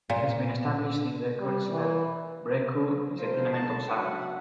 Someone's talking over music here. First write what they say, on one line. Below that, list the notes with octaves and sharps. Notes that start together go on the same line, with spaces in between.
It has been established in the courts that Brecqhou is a "tenement" of Sark.
A#2
G3
E3
B2 F3 G#3 A#4 C5
D2 G#2 D#4 D#5 A5
F#1 D4 F#4 E5 F#5